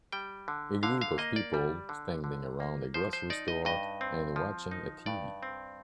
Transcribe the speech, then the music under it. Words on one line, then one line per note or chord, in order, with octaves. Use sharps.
A group of people standing around a grocery store and watching a tv.
G3 G5
D3
D3 F5
F5
A#3 D#5
D5
G3
D3
D3
A#3
F3 C5
C5
D#4 D5
D#5
G2 D#5
C4
F3
D#4
G2 D5
C4